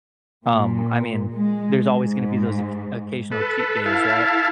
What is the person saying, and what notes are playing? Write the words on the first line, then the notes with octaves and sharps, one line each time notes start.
um, I mean, there's always gonna be those occ occasional cheat days, right,
A#2
G#3
G#2
A4 B4
E4 F5 A5